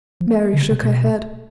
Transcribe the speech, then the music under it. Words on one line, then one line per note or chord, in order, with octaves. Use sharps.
Mary shook her head.
F3
D3
C#3
C3
B2